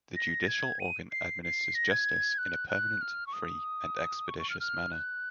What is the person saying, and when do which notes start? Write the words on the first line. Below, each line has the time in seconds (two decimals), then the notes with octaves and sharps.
The Judicial Organ administers justice in a permanent, free, and expeditious manner.
0.16 A#6
0.48 G#6
0.80 D#7
1.12 C7
1.43 C7
1.75 A#6
1.91 G#6
2.38 F#6
2.69 F#6
3.01 F6
3.27 C#6
3.33 D#6
4.28 C#6
4.39 C#6
4.50 F6
4.60 F6
4.92 F#6